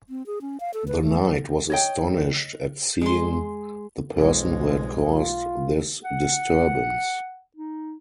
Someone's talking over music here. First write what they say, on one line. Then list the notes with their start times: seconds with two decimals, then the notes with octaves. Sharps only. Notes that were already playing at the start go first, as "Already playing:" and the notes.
The knight was astonished at seeing the person who had caused this disturbance.
0.09 C4
0.26 G#4
0.41 C#4
0.60 F5
0.74 A4
0.88 B4
1.02 A3
1.22 F#3
1.70 C#5 D#5 G5
3.01 G#3 C6
4.15 B1 F2 G#3
5.14 F4
6.04 F#5
7.57 D#4